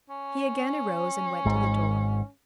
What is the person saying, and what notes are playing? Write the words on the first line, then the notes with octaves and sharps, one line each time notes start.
He again arose and went to the door.
C#4
G#1 G#2